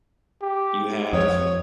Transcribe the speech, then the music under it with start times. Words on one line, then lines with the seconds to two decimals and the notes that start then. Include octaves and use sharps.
you have
0.42 G4
1.13 F2 C#5 D#6